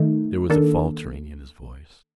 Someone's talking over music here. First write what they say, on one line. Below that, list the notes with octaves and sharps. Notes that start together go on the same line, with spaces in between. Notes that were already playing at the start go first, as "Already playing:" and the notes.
There was a faltering in his voice.
Already playing: D#3 A3 D#4
D#3 A#3 D4 A4